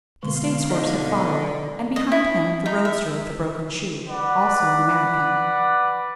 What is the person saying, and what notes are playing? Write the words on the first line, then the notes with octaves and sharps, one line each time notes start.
The States horse had followed; and behind him, the roadster with the broken shoe-- also an American.
B2 D3 G#3 F5 C6 C#6
D3 D#4 D#5
D#5
E4
D#4
E5
B4 D5 F#5